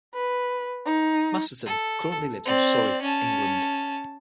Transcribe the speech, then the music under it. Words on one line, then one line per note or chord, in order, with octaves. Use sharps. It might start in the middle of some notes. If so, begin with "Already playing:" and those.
Masterton currently lives in Surrey, England.
B4
D#4
A4
C4 D5
C#4 A5